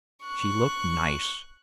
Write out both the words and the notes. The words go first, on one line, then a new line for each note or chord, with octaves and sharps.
She looked nice.
C#6 F#6